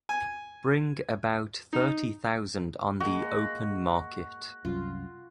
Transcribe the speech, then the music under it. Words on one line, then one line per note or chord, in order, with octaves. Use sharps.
Bring about thirty thousand on the open market.
G#5
D#4
G#3 A#3 F#4
C2 F#2 F4